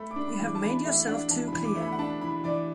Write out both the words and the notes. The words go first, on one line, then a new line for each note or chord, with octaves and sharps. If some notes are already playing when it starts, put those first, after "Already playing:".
You have made yourself too clear.
Already playing: A3 B5
D6
D4
B5
E3
D6
A5
E3 B5
A3 E5
D4 F#5
E3 A5
B5
E3
D6
A3
B5
F#5
D4 A5
E3 B5
E3 D5